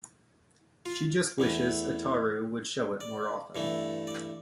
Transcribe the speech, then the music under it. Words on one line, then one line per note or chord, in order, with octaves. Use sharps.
She just wishes Ataru would show it more often.
F4
E2 E3 A3
D5
G2 E3 A3
D5